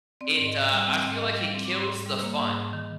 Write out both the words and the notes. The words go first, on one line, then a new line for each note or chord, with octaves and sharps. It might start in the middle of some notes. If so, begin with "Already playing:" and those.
it, uh, I feel like it kills the fun.
C4 D5
G#2
D#5
G#2
G3
C4
G#2
D#5
G#2 F5
G3
C4
D6
G#2 C6
G#2
G3
A#3 A#5
G#2
G#2
D#3